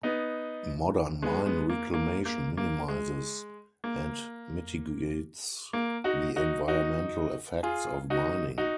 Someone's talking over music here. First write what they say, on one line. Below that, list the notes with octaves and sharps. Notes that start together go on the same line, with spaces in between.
Modern mine reclamation minimizes and mitigates the environmental effects of mining.
B3 D#4
G#3 B3
G#3 B3
A#3
A#3
A#3
A#3
G#3
A#3
A#3
D#4 F#4
D#4 F#4
D#4 F#4
F4 G#4
D#4 F#4
D#4 F#4